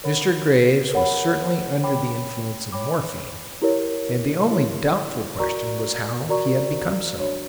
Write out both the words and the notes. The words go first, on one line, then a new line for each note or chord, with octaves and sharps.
Mr. Graves was certainly under the influence of morphine, and the only doubtful question was how he had become so.
A#4 C#5 F#5 B5
A#4 C#5 F#5 B5
C#5 G5 B5 D6
C#5 G5 B5 D6
E4 G4 A#4 C#5
E4 G4 A#4 C#5
F#4 A#4 D5 A#5 C#6
F#4 A#4 D5 A#5 C#6
D4 F#4 C#5